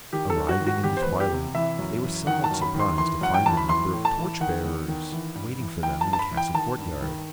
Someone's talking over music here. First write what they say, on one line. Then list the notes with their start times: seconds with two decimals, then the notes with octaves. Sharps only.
Arriving in the twilight, they were somewhat surprised to find a number of torchbearers waiting for them in the castle courtyard.
0.13 D#3 G4
0.30 A4
0.37 F#2
0.49 F#4
0.60 D#3
0.66 F#4
0.83 E2 G4
0.97 C5
1.02 E2 B4
1.20 G4
1.32 C3
1.55 E3 E5
1.79 F#2
2.03 E3
2.27 D#3 F#5
2.44 A5
2.51 F#2
2.62 B5
2.74 D#3
2.79 C6
2.98 E3 C6
3.21 F#2 F#5
3.34 G5
3.46 E3 A5
3.57 B5
3.69 E3 C6
3.93 A2
4.05 A5
4.17 E3
4.40 D#3 F#5
4.64 E2
4.88 D#3
5.12 E3
5.35 G2
5.59 E3
5.83 E3 G5
6.01 A5
6.07 G2
6.13 A5
6.19 B5
6.31 E3
6.37 G5
6.54 D#3 A5
6.78 G2
7.02 D#3